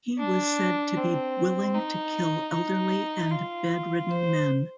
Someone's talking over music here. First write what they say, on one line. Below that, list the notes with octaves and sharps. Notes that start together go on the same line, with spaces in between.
He was said to be willing to kill elderly and bedridden men.
D4
C4
D#4
D#4
F4
C5